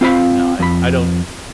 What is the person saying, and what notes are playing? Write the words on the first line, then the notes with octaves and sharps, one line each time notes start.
No. I I don't
C4 F4 C5 F5 B5
F2 B5